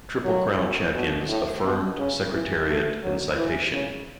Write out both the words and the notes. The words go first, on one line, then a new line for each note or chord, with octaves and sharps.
Triple Crown champions, Affirmed, Secretariat, and Citation.
F#3
B2
A2
B2
C#3
E3
A3
F#3
E3
C#3